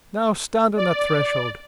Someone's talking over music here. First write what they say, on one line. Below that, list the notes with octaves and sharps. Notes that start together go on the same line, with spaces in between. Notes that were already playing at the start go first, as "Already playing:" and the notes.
Now stand on that threshold.
D5